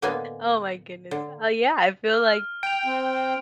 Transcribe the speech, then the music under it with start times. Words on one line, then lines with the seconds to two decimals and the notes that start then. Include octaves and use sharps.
Oh my goodness. Uh, yeah, I feel, like
0.02 A2 D3 A#3 B3 D#5 G#5
1.11 D3
2.14 F6
2.63 G5 D7 F7
2.85 C4